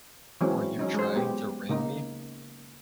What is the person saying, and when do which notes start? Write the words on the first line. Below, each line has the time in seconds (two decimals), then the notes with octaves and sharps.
Were you trying to ring me?
0.41 E3 F#3 G#3 C4 C#4
0.79 F#3 C#4 D#4
0.94 G#3 C5
1.14 G#3 B3 G4
1.69 C#3 A#3 D#4